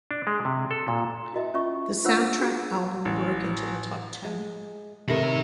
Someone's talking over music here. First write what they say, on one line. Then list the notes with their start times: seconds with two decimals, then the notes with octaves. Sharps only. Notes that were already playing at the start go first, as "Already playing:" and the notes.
The soundtrack album broke into the top ten.
0.11 D4
0.27 G#3
0.45 C3
0.71 A4
0.88 A#2
1.33 E4 F#4 D#5 E5
1.54 C#4 F4 E5 C#6
2.05 D4 F4 C5 C#5 F#5 E6
2.39 D4 F#4 G#4 G5
3.05 A1
4.25 G#3
5.08 C3 D#3 A4 B5